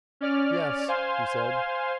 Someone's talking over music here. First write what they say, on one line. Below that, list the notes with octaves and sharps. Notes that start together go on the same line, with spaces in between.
"Yes," he said.
C#4 D5 F6
C5 F5 G#5 C6